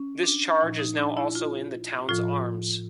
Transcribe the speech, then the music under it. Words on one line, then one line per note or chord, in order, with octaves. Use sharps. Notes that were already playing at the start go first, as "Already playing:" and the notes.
This charge is now also in the town's arms.
Already playing: C#4
D4
A#2 F3 D#4
D#4
D4
E4
F4
A2 F3 F4